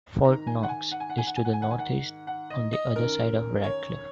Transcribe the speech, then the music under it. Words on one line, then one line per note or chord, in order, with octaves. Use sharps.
Fort Knox is to the northeast, on the other side of Radcliff.
G#2 D#3 A#5
G#5
F#5
G#5
F#5
G#5
F#5
G#5
F#5
G#5
F#5
G#5
G#2 D#3 F#5
G#5
F#5
F#5
D#5
D#5
F#2 D#3 A#4
C#5